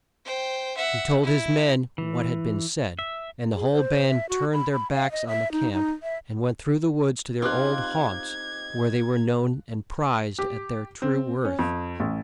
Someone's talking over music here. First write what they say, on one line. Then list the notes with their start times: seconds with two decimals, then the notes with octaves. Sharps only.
He told his men what had been said, and the whole band turned their backs on the camp, and went through the woods to their old haunts where they were known and prized at their true worth.
0.25 C5 G5
0.77 E5 F#5
1.23 E4
1.98 E3
2.99 E5
3.55 G#4
3.72 C5
4.08 E5
4.29 F#4
4.53 B5
4.72 B5
4.91 F5
5.12 D#5
5.28 E5
5.52 D#4
5.73 D#4
6.03 E5
7.42 C4 D#4 F4 G4 D6 F#6 G#6
10.39 G4
11.02 C4
11.45 C#4
11.59 F2
12.00 A1